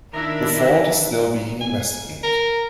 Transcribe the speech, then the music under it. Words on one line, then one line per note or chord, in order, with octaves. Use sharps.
The fault is still being investigated.
D#3 D4 E4 A#4 E5
G#5
A#4